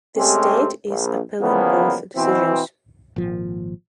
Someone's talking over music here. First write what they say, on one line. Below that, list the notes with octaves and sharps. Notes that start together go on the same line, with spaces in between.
The state is appealing both decisions.
C3 G#3 A3 C4 C#4 G4
A#1
C#3 E3 F3 G3 A#3 B3
B2 E3 C4
G#1 A#2 F3